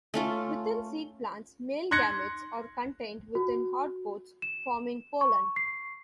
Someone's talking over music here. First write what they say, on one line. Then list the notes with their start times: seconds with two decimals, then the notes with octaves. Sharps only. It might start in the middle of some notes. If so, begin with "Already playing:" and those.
Within seed plants, male gametes are contained within hard coats, forming pollen.
0.14 A3 C#4 F4
1.91 C6 F#6 G#6 A#6 C#7
3.35 F#4
4.42 E7
5.21 C#6
5.56 C7